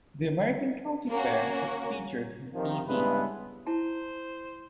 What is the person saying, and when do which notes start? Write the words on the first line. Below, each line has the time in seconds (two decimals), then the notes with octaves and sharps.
The American county fair is featured in E. B.
1.11 A#3 C#4 F#4
2.53 C3 D#3 F3
2.87 G2 C#3 G#3 B3 E4 B4
3.67 E4 C5 A5